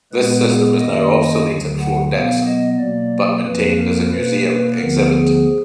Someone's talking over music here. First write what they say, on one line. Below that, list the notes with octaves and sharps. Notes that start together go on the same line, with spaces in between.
This system is now obsolete at Fort Denison but maintained as a museum exhibit.
A#2 G#3 B3 B4
G#4
F#2 D#3 A#3 D#5
D2 D3 F#3
F#5
B2 F#3 B3 F5
D#5
B2 F#3 A#3 D5
F2 F3 A#3 B4
A#4
B2 A#3 B4
B4
D2 D3 F3 B3 A#4
G#4